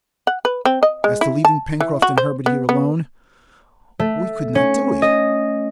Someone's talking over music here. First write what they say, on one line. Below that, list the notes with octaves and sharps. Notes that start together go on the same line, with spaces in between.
As to leaving Pencroft and Herbert here alone, we could not do it!
F#5
B4
C4
D#5
G#3
E4
A5
E3
F#4
C5
B3
B3
A3
C#4
D#5